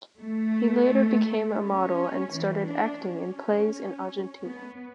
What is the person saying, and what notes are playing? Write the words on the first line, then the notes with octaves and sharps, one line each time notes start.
He later became a model and started acting in plays in Argentina.
A3
C#4
E3
D4
C#4
B3